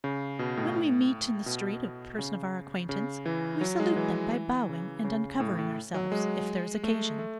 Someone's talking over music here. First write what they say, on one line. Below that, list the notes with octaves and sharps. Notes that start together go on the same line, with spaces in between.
When we meet, in the street, a person of our acquaintance, we salute them by bowing and uncovering ourselves, if there is occasion.
C#3
B2
A2
B2
C#3
C#3
E3
F#3
G#3
E3
C#3
C#3
A2
A2
F#3
G#3
A3
A3